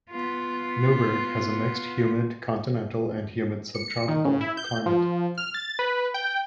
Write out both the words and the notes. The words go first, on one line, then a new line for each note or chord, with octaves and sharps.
Newburg has a mixed humid continental and humid subtropical climate.
B3 F4
C#7
D#3
C#3
E4
G6
F3
F6
A6
B4
G5